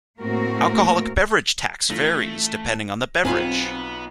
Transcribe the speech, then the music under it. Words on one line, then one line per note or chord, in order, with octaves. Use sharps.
Alcoholic beverage tax varies depending on the beverage.
A2 A3 A#3 C4 F#4 A#4
A1 A3 F4 A#6
B1 B3 C4 F4 F5 G#5